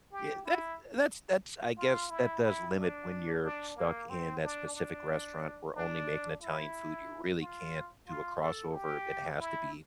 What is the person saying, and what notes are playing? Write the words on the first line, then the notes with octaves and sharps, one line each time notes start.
Yeah, that's that's that's I guess, that does limit when you're stuck in that specific restaurant where only making Italian food. You really can't do a crossover, it has to be,
G4
E4
F4
E4
E4
D4
D4
A#3
C4
D4
D4
D4
E4
F4
F4
A4
G4
E4